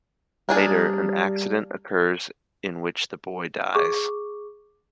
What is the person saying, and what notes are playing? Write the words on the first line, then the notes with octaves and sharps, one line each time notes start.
Later, an accident occurs in which the boy dies.
G3 A#3 D4 G#4
G#4 C#6 D6